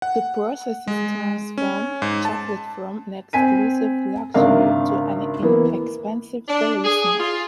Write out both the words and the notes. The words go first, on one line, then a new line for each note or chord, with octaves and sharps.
The processes transformed chocolate from an exclusive luxury to an inexpensive daily snack.
F#5
G#3
C#4
G#2
A5
C4 G#5 B6 D#7
G#1 C#3 D4 A#4 E5 F5
E3 A#3 B3
D4
G#4
F4